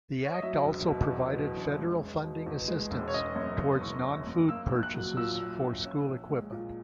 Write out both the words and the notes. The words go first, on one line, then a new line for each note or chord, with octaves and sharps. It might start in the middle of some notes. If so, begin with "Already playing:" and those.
The act also provided Federal funding assistance towards non-food purchases for school equipment.
C#5
D#5
F#3 E5
E1
B2
E2
F#3
E1
G#3
E1
B2
E2
G#3
E1
C#5
C#4 D#5
F#2
A#3
E3 C#6
C#4
F#2
A#3 E6
A#1
F#6
F#3
A#2 E6
A#3
A#1
C#4
A#1
G#3
A#2